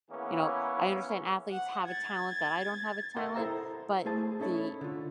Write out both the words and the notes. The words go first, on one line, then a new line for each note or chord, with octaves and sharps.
You know, I understand athletes have a talent that I don't have a talent, but the
E3 A#3 B3 C#4 E4 G#4
F#5
G#6 A6
A#4 D#5 F#5 G5 C6
E4 A4 B4 C5 E5 A#5
A3 E4 G#4 C5 G#5 A5
C#4 D#4 E4 A4 C#5
D3 F4